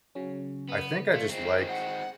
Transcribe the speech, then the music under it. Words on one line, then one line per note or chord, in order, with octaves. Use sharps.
I think I just like
C#3 F#3 C#4
B3
A3 F4
G#3 C4
F#5 G6